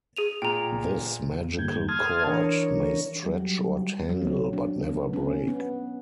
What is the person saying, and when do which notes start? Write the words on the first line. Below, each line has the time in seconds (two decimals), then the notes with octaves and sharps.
This magical cord may stretch or tangle, but never break.
0.16 G#4 D#7 F7
0.42 A#2 G5 A#5
1.58 G2 D3 G3 A#3 G6 G#6
1.88 A5 C6 D#6 F6 G#6
2.27 E3 D4 A#4 C#5
3.23 F#3 G3
4.09 F#3
4.21 C4
4.53 D4
4.90 B3
5.13 C#4
5.48 B3